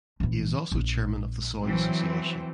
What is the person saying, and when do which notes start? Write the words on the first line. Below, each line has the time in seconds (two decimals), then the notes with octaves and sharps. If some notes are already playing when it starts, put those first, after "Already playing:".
He is also chairman of the Soil Association.
0.20 A#1 E3
0.72 A#1
1.65 E3 F#3 C4